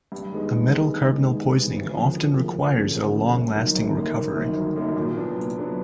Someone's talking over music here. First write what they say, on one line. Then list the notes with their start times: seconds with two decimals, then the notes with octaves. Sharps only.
A metal carbonyl poisoning often requires a long-lasting recovery.
0.12 G2
0.32 D#3 G#3 B3
0.52 G2
0.73 D#3 G#3 B3
0.93 G2
1.13 D#3 G#3 B3
1.33 G2
1.53 D#3 G#3 B3
1.73 D2
1.93 C#3 F3 A#3 C#4
2.14 D2
2.34 C#3 F3 A#3 C#4
2.54 D2
2.75 C#3 F3 A#3 C#4
2.94 D2
3.15 C#3 F3 A#3 C#4
3.35 G1
3.55 F#2 D#3 F#3 A#3
3.75 G1
3.96 F#2 D#3 F#3 A#3
4.16 G1
4.36 F#2 D#3 F#3 A#3
4.56 G1
4.76 F#2 D#3 F#3 A#3
4.96 A#2
5.17 F#3 B3 D4
5.37 A#2
5.57 F#3 B3 D4